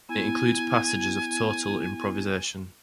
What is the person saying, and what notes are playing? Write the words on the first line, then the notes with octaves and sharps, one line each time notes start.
It includes passages of total improvisation.
B3 E4 G#5